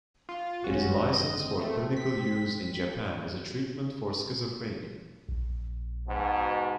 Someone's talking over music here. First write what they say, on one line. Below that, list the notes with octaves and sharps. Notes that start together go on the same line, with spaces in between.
It is licensed for clinical use in Japan as a treatment for schizophrenia.
F4
G#1 F#2 C#4 F#4
C4 D#5
A3
B6
A#1
G#2 B2